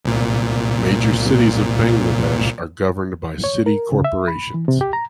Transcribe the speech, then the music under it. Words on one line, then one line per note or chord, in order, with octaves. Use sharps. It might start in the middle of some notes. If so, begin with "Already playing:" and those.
Major cities of Bangladesh are governed by City Corporations.
C2 A#2
C#5
A#4
C#3
E5
B5
E3
C3
G4
A#5